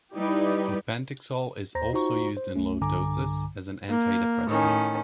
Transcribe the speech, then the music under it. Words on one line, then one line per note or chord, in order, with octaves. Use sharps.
Flupentixol is also used in low doses as an antidepressant.
G3 D#4 E4 G4 B4 D5
D#2 C5 A#5 A#6
D#4 F4 F#4 C5 A#5 C#6
C5
C2 A3 C#4
B1 G2 D3 G#5 A#5 D6
A#3
A2 D#3 C#4